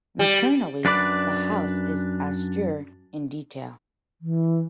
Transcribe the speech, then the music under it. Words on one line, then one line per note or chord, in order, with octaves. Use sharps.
Internally the house is austere in detail.
G3
F#2 D4 B4 D5
E3